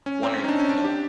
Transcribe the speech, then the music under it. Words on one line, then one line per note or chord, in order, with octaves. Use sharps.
one or you know,
C#4
C4
C#4
D#4
D4
C#4
D4
G4